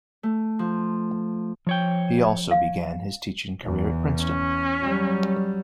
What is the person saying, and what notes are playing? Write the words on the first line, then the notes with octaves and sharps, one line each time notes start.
He also began his teaching career at Princeton.
A3
F3
F3 C#5 G5
F5
E2
C#4
F#3 G3